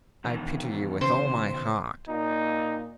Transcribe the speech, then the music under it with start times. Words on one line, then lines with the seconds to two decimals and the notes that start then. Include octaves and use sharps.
'I pity you with all my heart.
0.24 B2 D#3 E3
1.01 C#3 C5
2.08 A#2 D#4